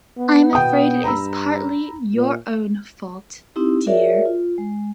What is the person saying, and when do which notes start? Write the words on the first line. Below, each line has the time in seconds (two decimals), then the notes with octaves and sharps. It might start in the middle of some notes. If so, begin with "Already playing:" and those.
I'm afraid it is partly your own fault, dear.
0.18 B3
0.53 B2 G5 D#6
1.04 G2 A#5 B5 E6
2.14 A#2
3.56 C4 D#4 E4 G4
3.86 F#4 G#4 A#4 C#5 D5 E5
4.26 F4
4.58 G#3